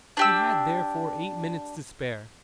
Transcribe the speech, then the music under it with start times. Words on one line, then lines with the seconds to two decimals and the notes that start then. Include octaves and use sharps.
She had, therefore, eight minutes to spare.
0.17 D4 G4 E6